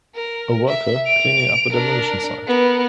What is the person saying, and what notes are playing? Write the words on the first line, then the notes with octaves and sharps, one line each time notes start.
A worker cleaning up a demolition site.
A#4
E5
D7 F7
D4 A#4
B3 A#4